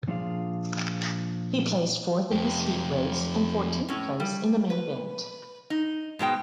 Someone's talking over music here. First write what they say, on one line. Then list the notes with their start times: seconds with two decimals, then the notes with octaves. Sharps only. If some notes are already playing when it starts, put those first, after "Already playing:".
He placed fourth in his heat race and fourteenth place in the main event.
0.07 A#2 F3 D4 F4 G#4 F5
2.32 F2 G4
3.89 A2 C#4
4.20 G3
4.70 B4
5.70 D#4
6.19 G#2 B2 G#3 G5